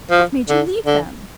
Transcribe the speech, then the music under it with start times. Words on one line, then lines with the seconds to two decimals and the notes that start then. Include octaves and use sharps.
"What made you leave them?"
0.11 F3
0.49 D3
0.86 D3